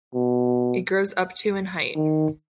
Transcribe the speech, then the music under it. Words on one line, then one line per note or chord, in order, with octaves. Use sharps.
It grows up to in height.
B2
D#3